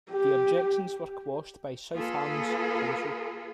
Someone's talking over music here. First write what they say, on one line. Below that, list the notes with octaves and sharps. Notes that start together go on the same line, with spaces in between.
The objections were quashed by South Hams council.
G4
A#3 F4 G#4 A4 B4